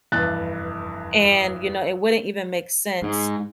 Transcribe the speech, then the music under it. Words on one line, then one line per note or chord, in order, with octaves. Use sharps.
and, you know, it wouldn't even make sense
F1 E2 G2 F#6 A6
G#2